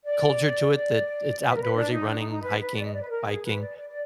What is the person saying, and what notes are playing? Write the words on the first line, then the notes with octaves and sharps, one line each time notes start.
culture to it, that it's outdoorsy, running, hiking, biking,
D5
D5
D5
B4
A#4
B4
D4
D#4
D4
D#4
D#4
B4
B4
D5
D#5
D5
B4
A#4
G#4
B4
D5
D5
D5